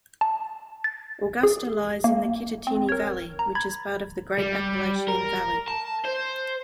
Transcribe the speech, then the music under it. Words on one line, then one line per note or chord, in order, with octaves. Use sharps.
Augusta lies in the Kittatinny Valley which is part of the Great Appalachian Valley.
A5
A6
G#4
A#3
C4
A#4 C#5
A#5
B5 G#6 A6
G3
A#4
A5
C5